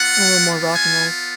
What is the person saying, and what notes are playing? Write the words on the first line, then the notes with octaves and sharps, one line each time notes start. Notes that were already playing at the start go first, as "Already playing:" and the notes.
I'm a little more rock and roll.
Already playing: B3 F4 F#5
G#5